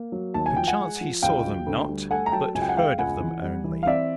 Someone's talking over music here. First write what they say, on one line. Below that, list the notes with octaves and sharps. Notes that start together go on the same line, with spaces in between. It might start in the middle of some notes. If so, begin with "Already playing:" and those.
"Perchance he saw them not, but heard of them only."
Already playing: A#3
F#3
D#2 A5
G#5
F3 G5
F#5 G#5
G#3
F3
C#2 F5 G5
F#3
D2
G3
A3 F#5 G#5
A#5
F#3 G5 A5
C#2 G#5
G5
F#5 G#5
G#3 F5 G5
C#2 F#5 G#5
E3
G3
E3
F5
C4 D5 E5